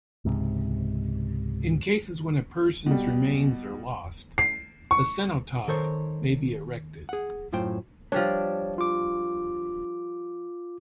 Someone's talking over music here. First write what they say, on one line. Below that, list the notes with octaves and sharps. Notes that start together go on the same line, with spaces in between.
In cases when a person's remains are lost, a cenotaph may be erected.
C#2 G#2 C3
B2 G3
C7
C#6
D#3 A4 A#4 C5 C#5
G#4 F#5
F#2 A2 F4 C5 G5
F3 G3 D4 C#5
F4 D6